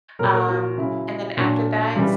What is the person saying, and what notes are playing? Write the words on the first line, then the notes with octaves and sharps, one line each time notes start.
Um, and then after that,
A#2 F#3 A#4
A#4
F#4
C#3 F#3 E4
A#2 F#3 D4
C#3 E3 G3